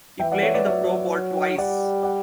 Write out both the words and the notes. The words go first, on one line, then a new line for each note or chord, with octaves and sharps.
He played in the Pro Bowl twice.
E3 E5 G5
D5 F#5
C#5 E5
B4 D5
F#3 C#5 E5
G3 D5 F#5
D5 F#5